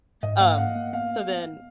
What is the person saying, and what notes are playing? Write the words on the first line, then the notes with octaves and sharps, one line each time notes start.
Um, so, then,
G#2 D#5
A#3 F5
A#3 F#5
A#3
B3 F5
B3
B3
B3